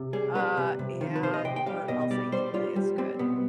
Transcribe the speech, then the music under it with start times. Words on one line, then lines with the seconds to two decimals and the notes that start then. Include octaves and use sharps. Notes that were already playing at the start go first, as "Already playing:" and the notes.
uh, and or I'll say equally as good,
Already playing: C3
0.13 G3 G#4
0.35 G3 B4
0.57 C3
0.79 C3
1.01 D#3
1.16 B4
1.23 C3 C5
1.34 D#5
1.45 C3 G5
1.56 G5
1.66 G3 F5
1.88 B2 D#5
2.11 G3 D5
2.32 G3 C5
2.54 G3 F4
2.76 G3
2.98 G3 C4
3.19 B2 B3